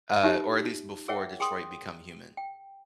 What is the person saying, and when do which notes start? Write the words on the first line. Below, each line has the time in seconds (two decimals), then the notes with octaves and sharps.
uh, or at least before Detroit: Become Human,
0.23 D#4 F4 G4 E5
1.08 G#4 A#4 C#5 E5 F#5 G5
1.40 G#4 G5 C6 D#6
2.37 G5